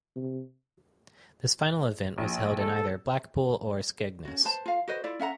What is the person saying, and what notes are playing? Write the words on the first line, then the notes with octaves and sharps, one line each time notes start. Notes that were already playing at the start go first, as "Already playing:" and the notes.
This final event was held in either Blackpool or Skegness.
C3
A#1
A4
C#4 F#4
B4 C5 A5
F4 F5
F#4 B4 C5 D#5
E4 F4 D5
C#4 E5 F#5 A#5